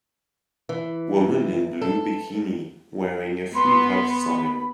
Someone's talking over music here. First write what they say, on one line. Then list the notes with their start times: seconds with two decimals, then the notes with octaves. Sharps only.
Woman in blue bikini wearing a free hugs sign.
0.69 E3
1.81 A4
3.54 B3 B5 C6